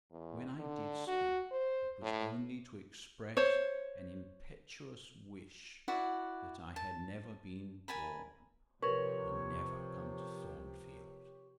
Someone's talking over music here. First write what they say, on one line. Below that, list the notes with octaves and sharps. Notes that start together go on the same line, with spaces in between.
When I did speak, it was only to express an impetuous wish that I had never been born, or never come to Thornfield.
E2
D3
F#4
C5
A2
C5 C#5
E4 F#4 D5 F#5
A5
A#4 G#5 A5 B5
C3 F3 G4 A#4 B4 C#5 C6